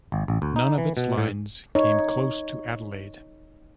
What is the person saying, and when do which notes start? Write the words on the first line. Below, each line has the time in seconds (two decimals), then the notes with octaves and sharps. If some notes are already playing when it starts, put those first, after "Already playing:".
None of its lines came close to Adelaide.
0.12 G#1
0.28 A1
0.42 D2
0.56 D#4
0.78 E3
0.97 B2
1.18 A2
1.75 D#4 C#5